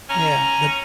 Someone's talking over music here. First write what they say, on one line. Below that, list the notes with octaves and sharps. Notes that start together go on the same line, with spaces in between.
Yeah. The b
C#4 A#5